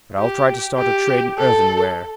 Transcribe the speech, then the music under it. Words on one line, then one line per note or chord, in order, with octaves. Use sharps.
But I will try to start a trade in earthenware.
G4
G4
A4